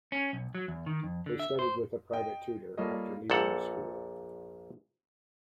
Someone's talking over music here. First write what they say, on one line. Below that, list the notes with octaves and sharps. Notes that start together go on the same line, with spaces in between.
They studied with a private tutor after leaving the school.
C#4
B1
F#3
E2
D#3
F2
D3
E5
C5
D#5 G5
G3 A#3 F4 A4 C#5 D#5
A#1 A#2 A4 F#5